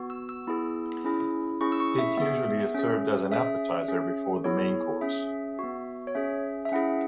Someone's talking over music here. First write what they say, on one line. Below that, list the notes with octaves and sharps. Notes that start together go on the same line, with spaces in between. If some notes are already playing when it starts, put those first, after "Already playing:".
It usually is served as an appetizer before the main course.
Already playing: B3 F#4
E6
E6
B3 E4 G#4
C#4 E4 G#4
C#4 E4 G#4 C#6
E6
C#6
E5
B3 G#4 E5
C#4 G#4
C#4 G#4 E5
C#4 G#4
B3 E4 G#4 C#5
C#4 G#4 E5
B3 F#4
C#5
C#4 G#4 E5
E5
C#4 E4 G#4 F#5